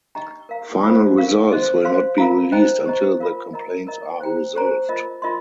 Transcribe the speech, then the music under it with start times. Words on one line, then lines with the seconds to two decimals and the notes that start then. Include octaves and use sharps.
Final results will not be released until the complaints are resolved.
0.15 D#4 G4 D#5 G5 A#5
0.49 A#4 F5 A#5
0.83 F4 C5 F5 C6
1.17 G4 A#4 F5
1.51 C5 D#5 C6
1.85 C5 F5 C6
2.18 F4 A#4 F5 A#5
2.52 D#4 C5 D#5 G5 A#5
2.86 G4 C5 D#5 A#5
3.20 F4 A#4 F5
3.53 A#4 D#5 A#5
3.87 A#4 D#5 A#5
4.20 C5 G5 A#5
4.55 G4 C5 G5 A#5
4.89 F4 A#4 D#5
5.22 F4 A#4 D#5 C6